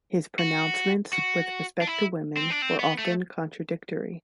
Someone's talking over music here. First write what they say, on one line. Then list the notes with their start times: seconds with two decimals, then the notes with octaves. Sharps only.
His pronouncements with respect to women were often contradictory.
0.39 F#4
1.13 F#4
1.81 D4
1.87 E4
2.37 C4
2.50 D4
2.62 C4
2.79 B3
2.99 A3